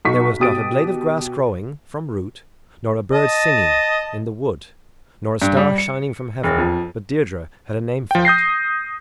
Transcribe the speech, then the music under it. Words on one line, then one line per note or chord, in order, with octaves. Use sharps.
There was not a blade of grass growing from root, nor a bird singing in the wood, nor a star shining from heaven but Deirdre had a name for it.
B1 D#4 C#6 B6
B2 G4 D#6 A6 D7
D#5 A5
G2
G3
C#7
E1
F2
F3 G5
D#6 G6 A#6 C7